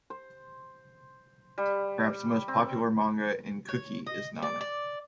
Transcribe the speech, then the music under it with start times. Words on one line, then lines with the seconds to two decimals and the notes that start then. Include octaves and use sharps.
Perhaps the most popular manga in "Cookie" is "Nana".
0.10 C5
1.58 G3
2.48 C4
3.69 C#5
4.06 D#5
4.42 D5
4.61 D5